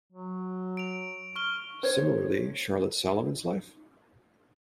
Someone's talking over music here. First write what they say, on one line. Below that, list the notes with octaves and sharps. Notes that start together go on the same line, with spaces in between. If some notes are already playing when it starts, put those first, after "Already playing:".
Similarly, Charlotte Salomon's Life?
F#3
D7 F7
C#6 F6 G7
C5 C#5